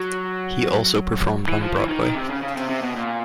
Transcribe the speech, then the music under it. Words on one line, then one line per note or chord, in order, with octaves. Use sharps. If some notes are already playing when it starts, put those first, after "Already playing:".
He also performed on Broadway.
Already playing: F#3
E3
F3
E3
D#3
D#3
C3
C#3
C#3
C3
C3
B2
A#2